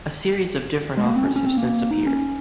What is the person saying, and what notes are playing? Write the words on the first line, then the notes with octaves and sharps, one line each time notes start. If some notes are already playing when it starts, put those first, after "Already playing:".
A series of different offers have since appeared.
G#3
A#3
C4
C#4
C#4
C4
A#3
D#4
C#4